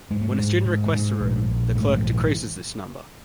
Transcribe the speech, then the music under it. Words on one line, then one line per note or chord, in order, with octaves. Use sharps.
When a student requests a room, the clerk decreases this number.
G#2 G#3
A3
G#3
G#2
G#2
A3
G#2 G#3
A#1
A#1
G#2 A3
F3
A#1
D#3
E3